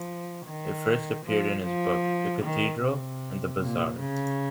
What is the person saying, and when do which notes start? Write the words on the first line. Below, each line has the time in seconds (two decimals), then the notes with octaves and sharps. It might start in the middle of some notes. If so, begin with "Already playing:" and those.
It first appeared in his book "The Cathedral and the Bazaar".
Already playing: F3
0.46 D#3
1.25 F3
1.64 F3
2.43 D#3
2.81 C3
3.60 A#2
3.99 C#3